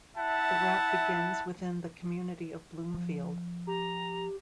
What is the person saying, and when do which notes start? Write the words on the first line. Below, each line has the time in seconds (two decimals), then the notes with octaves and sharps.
The route begins within the community of Bloomfield.
0.17 E4 E5 F#5 A5
2.94 F3
3.67 G4 A#5